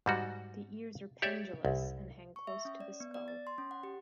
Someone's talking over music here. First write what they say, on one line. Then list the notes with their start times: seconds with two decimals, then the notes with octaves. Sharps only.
The ears are pendulous and hang close to the skull.
0.06 G#2 G3 F#4
1.22 G4 C#5 D5 E5
1.65 C2
2.36 C#6
2.47 E5
2.65 C#4
2.81 D5
3.00 B3
3.14 D5
3.28 A6
3.47 C6
3.58 C#4
3.71 F#5
3.83 G4